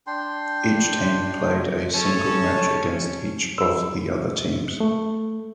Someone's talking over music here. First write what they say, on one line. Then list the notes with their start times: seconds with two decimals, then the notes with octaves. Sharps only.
Each team played a single match against each of the other teams.
0.07 D4 G5 C6
1.94 C#4 A4 C#5 A5
3.58 E6
4.80 A3